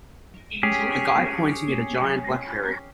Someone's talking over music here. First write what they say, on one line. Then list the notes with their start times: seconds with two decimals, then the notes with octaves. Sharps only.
A guy pointing at a giant Blackberry.
0.63 C#4 G4 G#4